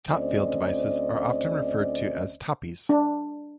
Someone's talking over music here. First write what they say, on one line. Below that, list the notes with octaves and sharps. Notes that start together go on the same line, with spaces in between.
Topfield devices are often referred to as "Toppys".
D2 C4 C#4 C5 D5 D#5
D4